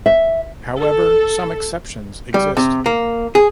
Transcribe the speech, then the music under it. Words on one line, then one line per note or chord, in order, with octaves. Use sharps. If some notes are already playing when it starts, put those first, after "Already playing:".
However some exceptions exist.
E5
A4
G3
C3
A#3
G#4